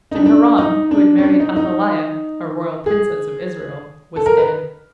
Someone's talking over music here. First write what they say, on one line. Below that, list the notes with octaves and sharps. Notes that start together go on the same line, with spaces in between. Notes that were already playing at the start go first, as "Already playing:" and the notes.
Jehoram, who had married Athaliah, a royal princess of Israel, was dead.
D#4
D4
D4
D#4
D4
C#4
D4
D#4
D#4
G#4
A4
A#4
B4